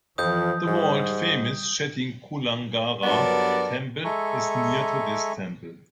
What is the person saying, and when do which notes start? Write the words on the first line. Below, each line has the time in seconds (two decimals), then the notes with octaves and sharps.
The world-famous Chettikulangara temple is near to this temple.
0.18 F2 E3 F3 D#6 G6
0.67 G#2 G3
3.03 G2 F#3 B3 A4 A#4 D5
4.04 G#3 A4 E5 G#5 A#5 C#6